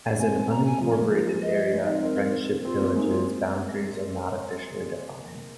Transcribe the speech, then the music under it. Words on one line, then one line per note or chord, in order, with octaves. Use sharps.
As an unincorporated area, Friendship Village's boundaries are not officially defined.
C4 G#5
A#5
G#5
F3
A#3
G#3
F3
D#5
G#3
D#4
C4
C4 A#4
C4 F4
A#3
G#3 D#4
F4